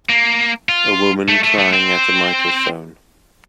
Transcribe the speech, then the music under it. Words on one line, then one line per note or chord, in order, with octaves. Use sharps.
A woman crying at a microphone.
A#3
F4
A3
A3
A3
C4